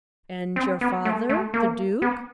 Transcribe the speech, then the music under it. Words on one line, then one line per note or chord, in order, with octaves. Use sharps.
"And your father--the Duke?"
C4
B3
A3
A3
A#3
B3